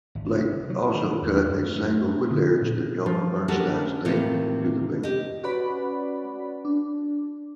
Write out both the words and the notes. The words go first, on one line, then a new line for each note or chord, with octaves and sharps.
Leyton also cut a single with lyrics to Elmer Bernstein's theme to the film.
G#1
C3
F#3
D#3
E2
F#2
A3
D3
A#2
F3
C#4 D4 F#4 G4 A4 A#4
A2 C3 D#3 E3 A#3 F4
G4 D#5
C#4 F#4 B4 D5 B5
D4